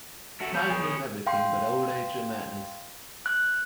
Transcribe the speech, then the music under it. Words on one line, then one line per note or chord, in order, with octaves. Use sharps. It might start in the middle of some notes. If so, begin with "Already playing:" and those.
Time heals everything but old age and madness.
A3 F#4
B3 C#5 G6
G#4
D#6
F5 G5 C6
F#6